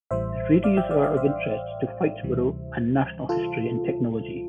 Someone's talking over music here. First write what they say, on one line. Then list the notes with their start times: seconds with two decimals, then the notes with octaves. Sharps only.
His radios are of interest to Whitesboro and national history in technology.
0.11 A1 A2 E3 G3 C5 E5
0.64 D5 F5
0.77 E5 G5
0.90 D5 F5
1.04 D5 F5
1.17 C5 E5
2.23 D2 C3 E3 G3
3.29 F4 A4